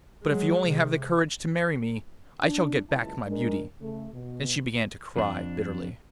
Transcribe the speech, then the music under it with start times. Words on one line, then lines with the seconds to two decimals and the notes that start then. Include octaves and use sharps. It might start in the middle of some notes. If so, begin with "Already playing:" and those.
But if you only have the courage to marry me I shall get back my beauty.' And she began to cry bitterly.
0.24 F#3 G#3
0.68 C3
2.42 D4
2.89 F#1 C#2 E4 A5
3.27 G#3 D4 A#4
3.80 C#3 A3
4.12 B2
5.16 F2 D4